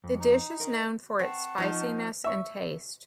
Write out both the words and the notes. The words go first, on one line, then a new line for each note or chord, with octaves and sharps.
The dish is known for its spiciness and taste.
F2
D#4
A#4 D#5
C4 F#5 A5 C#6
F3 D#4 F4
E5 C#6